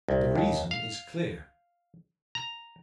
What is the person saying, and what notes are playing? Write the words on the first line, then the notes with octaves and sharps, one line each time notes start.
The reason is clear.
C2
D#2
F5
A#5